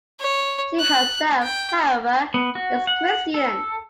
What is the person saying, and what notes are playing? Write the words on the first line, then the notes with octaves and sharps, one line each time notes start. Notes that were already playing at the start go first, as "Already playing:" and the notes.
She herself, however, is Christian.
C#5
F#6
G5
B3
F#4
F#5
A4